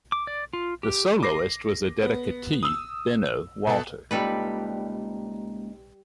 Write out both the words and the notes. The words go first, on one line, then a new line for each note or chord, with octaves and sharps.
The soloist was the dedicatee Benno Walter.
D6
D5
F4
G4
D6 A#6 C7
B3
D#6 E6
B2 A4
C#2 A#2 G3 D#4 A4 B4